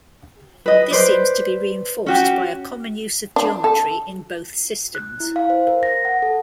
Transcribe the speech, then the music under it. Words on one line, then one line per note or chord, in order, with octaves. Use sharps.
This seems to be reinforced by a common use of geometry in both systems.
B4 D#5
B4 C5 D5
C#4 F#4 G4
D4
A4
F#6
E4
F5
C5
A#4
A#6
F#5
A4